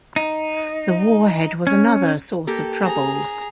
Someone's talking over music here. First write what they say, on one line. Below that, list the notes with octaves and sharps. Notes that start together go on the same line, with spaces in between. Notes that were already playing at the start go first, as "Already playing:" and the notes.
The warhead was another source of troubles.
D#4
C#4
A#3 G4 A4
G#4 A#5